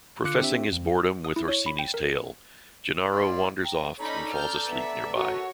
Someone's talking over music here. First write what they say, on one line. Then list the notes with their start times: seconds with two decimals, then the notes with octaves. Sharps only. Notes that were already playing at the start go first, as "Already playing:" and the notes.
Professing his boredom with Orsini's tale Gennaro wanders off and falls asleep nearby.
0.24 D3 F4 F5 D6 F#6 C#7
0.41 C4 D4 G4 E5
0.72 F2
1.24 D#6
1.36 E4
1.48 C#5
1.66 B5
1.79 G5
1.94 A#4
2.09 C#7
3.12 E4 D5 F5 C6
3.64 G5 A#5
3.99 C#4 D#4 A4 D5 A#5 B5
4.32 F6 G6
4.66 B3 E5
5.15 F#4 A4 A#4 C#5 E5